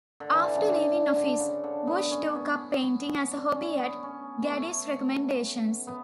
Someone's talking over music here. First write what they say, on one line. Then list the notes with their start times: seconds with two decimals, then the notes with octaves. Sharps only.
After leaving office, Bush took up painting as a hobby at Gaddis's recommendation.
0.20 D3
0.32 E3
0.44 D3
0.56 C#3
0.68 D3
1.16 D3
1.39 C#3
1.64 D3
1.87 B3
2.11 C#4
2.35 B3
3.07 C#4
3.31 D4
3.55 C#4
3.79 B3
4.03 C#4
4.43 B3
4.51 A3
5.87 B3